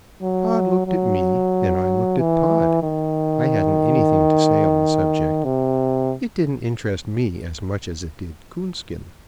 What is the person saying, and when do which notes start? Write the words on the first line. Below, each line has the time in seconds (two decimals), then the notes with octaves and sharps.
Pod looked at me and I looked at Pod; I hadn't anything to say on the subject; it didn't interest me as much as it did Coonskin.
0.22 F#3
0.87 F#3
2.18 E3
2.83 D#3
5.44 C3